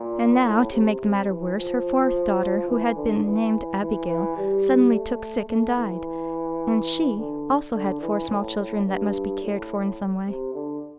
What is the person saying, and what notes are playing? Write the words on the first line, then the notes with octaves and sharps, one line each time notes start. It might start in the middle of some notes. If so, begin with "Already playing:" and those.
And now, to make the matter worse, her fourth daughter, who had been named Abigail, suddenly took sick and died, and she also had four small children that must be cared for in some way.
Already playing: A#2
A2
C3
C3
E3
F3
E3
D3
E3
E3
E3
G3
A3
A3
E3
D3
D3
E3
A2
A2
G2
A2
C3
D3